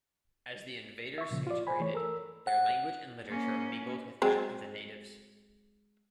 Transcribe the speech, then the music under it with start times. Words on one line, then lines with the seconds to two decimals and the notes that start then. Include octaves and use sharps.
As the invaders integrated, their language and literature mingled with that of the natives.
1.18 E5 C#6
1.31 A#2 C#3 F3
1.47 F4 D5
1.67 C5 G#5 B5
1.80 E3 A3 C#5
1.93 A4 A#4 E6
2.47 F#5
3.28 A#3 C#4
4.22 F#3 G#3 C4